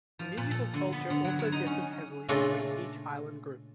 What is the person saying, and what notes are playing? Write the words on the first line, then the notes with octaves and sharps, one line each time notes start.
The musical culture also differs heavily between each island group.
F3
A#2
A4
D3
B3
D3
F#3
F#3
D#4
C#4
A#2 C#3 A3 D4 D#4 F4